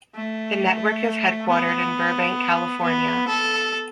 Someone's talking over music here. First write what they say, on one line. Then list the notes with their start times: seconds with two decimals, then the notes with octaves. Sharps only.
The network is headquartered in Burbank, California.
0.15 A3
1.48 B3
2.83 B3
3.28 A4